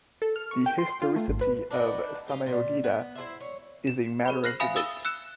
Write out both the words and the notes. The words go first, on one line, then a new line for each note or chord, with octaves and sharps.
The historicity of Samyogita is a matter of debate.
A4
F6
C#6
G5
C6
F4
A3
G#1
B4
D4 D#4 F#4 B4
G4 D#5 F5
A#2 G3
B3
E4 G#4 C5 E5
C#5
E7
G#4 C5 B5
F6 F#6 A#6 C7 F#7
E5 F5 G#5 B5 D#6
D#6 E6 A6 E7 G7
E6 F#6 C#7 E7